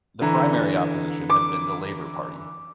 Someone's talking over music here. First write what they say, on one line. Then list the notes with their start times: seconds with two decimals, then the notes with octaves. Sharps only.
The primary opposition had been the Labour Party.
0.21 D3 E3 A#5
1.30 D6